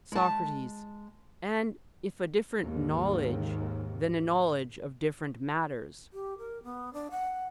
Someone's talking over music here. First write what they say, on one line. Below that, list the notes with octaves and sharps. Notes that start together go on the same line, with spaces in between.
SOCRATES: And if a different knowledge, then a knowledge of different matters?
G#3 A5
D#2 G#2
G4
A#4
B3
D4
F#5